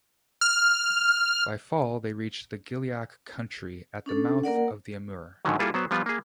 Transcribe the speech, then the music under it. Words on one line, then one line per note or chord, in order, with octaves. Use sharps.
By fall they reached the Gilyak country at the mouth of the Amur.
F6
C#4 D4 A4
A#3 A#4 D5 F#5
G#2 D3 D#3 F#3
G3 A#3 E4 F4 G#4 A4
F#3 B3 C5
F3 G3 B3 F4
A#3 G#4